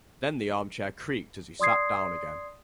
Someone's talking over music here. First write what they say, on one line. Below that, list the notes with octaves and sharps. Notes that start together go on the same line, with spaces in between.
Then the armchair creaked as he sat down again.
D5 C6 D#6 G#6 C7